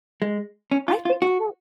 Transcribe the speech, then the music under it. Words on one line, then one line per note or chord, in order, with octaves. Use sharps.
I think so
G#3
C#4
F4
F4
F#4